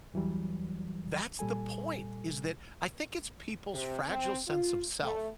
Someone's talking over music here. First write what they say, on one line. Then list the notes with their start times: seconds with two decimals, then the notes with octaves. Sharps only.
That's the point, is that I think it's people's fragile sense of self,
0.14 E2 E3 F#3 G3
1.39 A#2 G3 A4 G#5
3.74 C3
4.09 C4
4.48 F4
5.03 A3